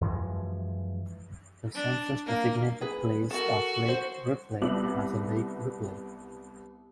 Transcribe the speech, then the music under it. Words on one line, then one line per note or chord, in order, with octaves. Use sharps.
The census-designated place of Lake Ripley has a Lake Ripley.
F#2 E3 F3 G#3
D4
A#3
G#4 B4
F#4 A4 A#4
C5
C2 B3 E5 D6 F#7